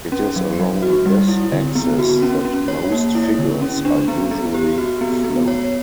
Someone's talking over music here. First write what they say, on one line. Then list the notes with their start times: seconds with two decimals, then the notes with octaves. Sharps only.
It is along this axis that most figures are usually flown.
0.12 C#4
0.36 F#3
0.59 F#3
0.82 F#4
1.06 G3
1.28 E4
1.52 D3
1.75 B3
1.98 F#4
2.22 C#4
2.45 C#4
2.68 C#5
2.92 A#3
3.15 E4
3.39 D3
3.62 C#4
3.85 D4
4.08 B3
4.31 B3
4.54 G4
4.78 F#4
5.01 B3
5.25 B3
5.48 C#5